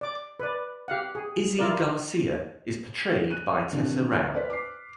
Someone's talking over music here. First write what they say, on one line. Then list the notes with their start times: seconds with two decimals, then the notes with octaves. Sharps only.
Izzy Garcia is portrayed by Tessa Rao.
0.01 D5 D6
0.40 B4 D5
0.88 G4 F5 F#5
1.15 G#4
1.59 E4 F4 A#4 D5
3.30 F#6 D#7
3.72 C3 D#3 E3 D4
4.12 F6 F#6
4.34 B4 C5 D5 B6
4.50 D6 C7